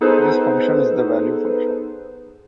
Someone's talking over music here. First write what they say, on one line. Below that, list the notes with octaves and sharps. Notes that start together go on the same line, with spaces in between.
This function is the "value function".
B3 D#4 G#4 A4 B4 C5